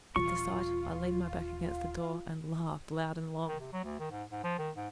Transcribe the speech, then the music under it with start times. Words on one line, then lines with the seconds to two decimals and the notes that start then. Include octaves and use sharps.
At the sight, I leaned my back against the door and laughed loud and long.
0.16 D#1 E3 F4 C#6
3.48 D#3
3.60 C3
3.73 F#3
3.84 D2
4.00 D#3
4.11 G#2
4.31 G#2
4.44 F3
4.59 D#3
4.76 G#2